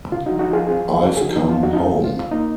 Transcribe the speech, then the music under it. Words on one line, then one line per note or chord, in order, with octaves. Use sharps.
I've come home.
C#3 F4
D#4 F#4
F3
D#4 F#4
F3 F4 G#4
C4 F4 G#4
F3
C#3
G#4
F3 D#4 F#4
F3 D#4
F4
F3 D#4 F#4
D#4
C4 F4
F3
F4
C4
A#3 D#4